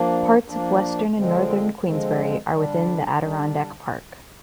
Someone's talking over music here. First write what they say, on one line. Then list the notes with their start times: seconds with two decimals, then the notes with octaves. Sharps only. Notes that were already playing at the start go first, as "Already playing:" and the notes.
Parts of western and northern Queensbury are within the Adirondack Park.
Already playing: F3 A#3 D4
0.47 F3 A#3 D4
1.15 D3 F3 G#3 C4
1.83 D3 F3 G#3 C4
2.50 D3 G3 D4
3.18 D3 G3 D4